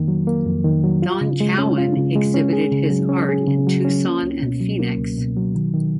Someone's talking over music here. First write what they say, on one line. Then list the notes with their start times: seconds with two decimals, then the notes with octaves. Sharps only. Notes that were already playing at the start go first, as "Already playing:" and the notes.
Don Cowen exhibited his art in Tucson and Phoenix.
Already playing: F2 D#3 A#3
0.08 F#3
0.27 A#3
0.46 F2
0.64 D#3
0.84 F#3
1.02 F4
1.21 C#3
1.40 G#3
1.58 C#4
1.78 F4
1.97 C#3
2.15 G#3
2.34 C#4
2.53 G#4
2.72 C#3
2.90 F#3
3.09 C#4
3.29 G#4
3.47 C#3
3.67 F#3
3.85 C#4
4.04 A#3
4.23 C#2
4.42 B2
4.60 F#3
4.79 A#3
4.98 C#2
5.17 B2
5.36 F#3
5.55 D#3
5.73 D#3